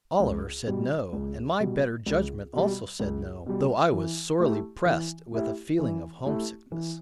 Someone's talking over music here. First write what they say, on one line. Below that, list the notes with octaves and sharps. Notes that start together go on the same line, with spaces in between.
Oliver said no, and my better judgment also said no, though I was sorely pressed with a feeling of homesickness.
C#2
B2 G3
C#2
B2 G3
C#2
B2 G3
C#2
B2 G3
E3
A3 E4 G4
E3
A3 E4 G4
E3
A3 E4 G4
E3